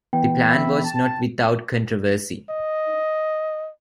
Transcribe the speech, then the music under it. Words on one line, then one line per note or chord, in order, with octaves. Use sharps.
The plan was not without controversy.
E3 B3 G5
E5 B5
A5
D#5